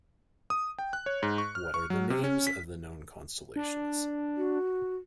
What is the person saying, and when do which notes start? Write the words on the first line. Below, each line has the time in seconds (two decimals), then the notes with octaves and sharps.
What are the names of the known constellations?
0.50 D#6
0.79 G5
0.93 F#6
1.06 C#5
1.23 G#2
1.38 C#6
1.55 F6
1.74 C#6
1.90 F#3
2.10 C3
2.24 C#4
2.47 B6
3.56 D4
4.37 F#4